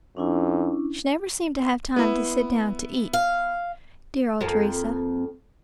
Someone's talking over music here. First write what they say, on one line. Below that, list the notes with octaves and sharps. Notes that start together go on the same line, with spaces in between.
She never seemed to have time to sit down to eat Dear old Teresa!
F2 C#4 D4 E4
B3 E4
F5
F2 A#3